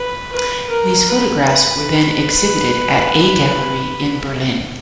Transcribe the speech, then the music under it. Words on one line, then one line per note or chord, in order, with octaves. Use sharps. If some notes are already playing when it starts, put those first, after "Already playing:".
These photographs were then exhibited at a gallery in Berlin.
Already playing: B4
B4
A#4
B4
B4